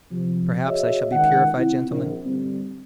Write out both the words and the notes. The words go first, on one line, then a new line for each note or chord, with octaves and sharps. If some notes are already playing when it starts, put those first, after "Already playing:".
Perhaps I shall be purified, gentlemen?
C3 F3
F#4 G#4 C#5 D#5 E5
C#2 D#3 F#5
C4 E4
A#1
G2 D3 G3 C4